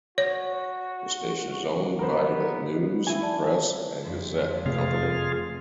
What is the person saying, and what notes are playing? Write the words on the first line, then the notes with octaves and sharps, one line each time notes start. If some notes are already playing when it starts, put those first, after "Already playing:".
The station is owned by the News-Press and Gazette Company.
F#4 C#5
B3 A#4 C5
E4 G#5
D5 A5
F2
C3 A3 C4 F4 G#4 F5